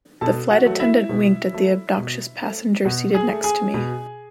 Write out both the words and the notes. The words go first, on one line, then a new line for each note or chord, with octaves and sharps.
The flight attendant winked at the obnoxious passenger seated next to me.
B2 A4 A5
F#4 F#5
F#3 A3
E4 E5
B2
F#3 A3
B2
A3
B2 F#4 F#5
G#4 G#5
A3
G#4 G#5
B2